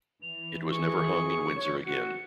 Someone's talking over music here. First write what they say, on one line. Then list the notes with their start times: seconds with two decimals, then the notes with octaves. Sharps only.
It was never hung in Windsor again.
0.22 E3 F7
0.71 G#4 C#6
1.57 C#5
1.86 F#4 C#7